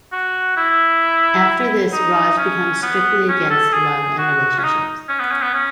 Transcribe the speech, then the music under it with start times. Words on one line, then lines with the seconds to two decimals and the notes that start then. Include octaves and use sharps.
After this, Raj becomes strictly against love and relationships.
0.12 F#4
0.57 E4
1.93 D#4
2.38 C#4
2.83 B3
3.28 C#4
3.50 A4
3.73 G#4
4.18 F#4
4.59 C#4
4.63 D#4
5.09 C#4
5.20 B3
5.31 C#4
5.42 B3
5.54 C#4